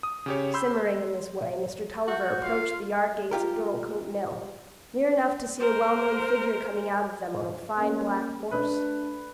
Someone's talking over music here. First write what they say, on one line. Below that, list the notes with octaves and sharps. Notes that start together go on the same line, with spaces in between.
Simmering in this way, Mr. Tulliver approached the yardgates of Dorlcote Mill, near enough to see a well-known figure coming out of them on a fine black horse.
D#6
C#3 G4 C#5
B5 C6 E6 G6
F#4 G6
F4 F5
F4 G4 A#4
A#4 C5
A#3 C#4
A3 D4 B4